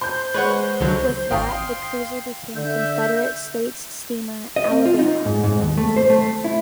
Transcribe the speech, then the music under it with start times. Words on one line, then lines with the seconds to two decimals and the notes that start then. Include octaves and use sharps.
With that the cruiser became Confederate States Steamer "Alabama".
0.01 C5 C6 G6
0.34 G#3 B4 C#5 F#5
0.80 C#2 D3 F#3
1.31 G#1 F5 G5 C6 D#6
2.55 D3 E5 G6
4.56 D#5
4.71 C4
4.85 F4
4.99 D#4
5.25 G#2
5.43 G#2
5.60 D#2
5.77 A3
5.96 C5
6.10 A3
6.44 E4